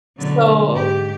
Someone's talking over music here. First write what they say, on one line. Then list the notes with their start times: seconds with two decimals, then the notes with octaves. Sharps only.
S so
0.17 B2 D3 F#3
0.71 G#2 G4